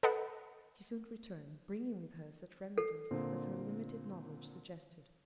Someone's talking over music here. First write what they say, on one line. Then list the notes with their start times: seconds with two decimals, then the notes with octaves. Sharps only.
She soon returned, bringing with her such remedies as her limited knowledge suggested.
0.03 A4 B4 D#5 F#5 A5 B5
2.78 A4 C7
3.11 A#2 D3 C4